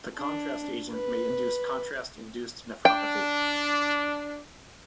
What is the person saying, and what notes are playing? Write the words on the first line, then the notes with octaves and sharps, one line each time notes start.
The contrast agent may induce contrast-induced nephropathy.
D4
B4
D4 G5